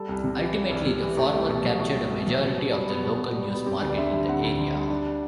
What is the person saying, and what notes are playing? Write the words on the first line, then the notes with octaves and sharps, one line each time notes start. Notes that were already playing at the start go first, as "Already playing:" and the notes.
Ultimately, the former captured a majority of the local news market in the area.
Already playing: G3 A4
C2
C3
E3
G3
C2
C3
E3
A3 G4
C2
B2
F#3
A3 F#4
C2
B2
F#3
B2
B2
G3
B3
B2
B2
G3
B3
C4 G4
D2
D5
D3 E5
G3
C4 F#5
D2
D3
G3
D4